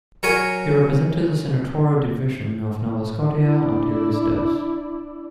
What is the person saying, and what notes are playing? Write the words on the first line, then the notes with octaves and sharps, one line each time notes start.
He represented the senatorial division of Nova Scotia until his death.
F#3 A#4 C#5 G#5
D4 E4